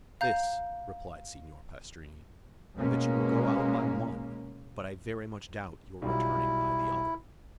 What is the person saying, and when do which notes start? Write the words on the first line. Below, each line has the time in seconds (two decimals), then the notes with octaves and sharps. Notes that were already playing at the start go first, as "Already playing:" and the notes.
"This," replied Signor Pastrini, "that you will go out by one, but I very much doubt your returning by the other."
0.21 F5 A#5 G6
2.77 B2 G#3 A#3 C#4
6.02 B1 G3 E4 F4